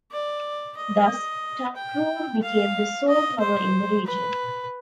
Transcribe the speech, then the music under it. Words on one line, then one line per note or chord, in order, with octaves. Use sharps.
Thus, Takrur became the sole power in the region.
D5
D#5
G5
F5
D#5
C5
B4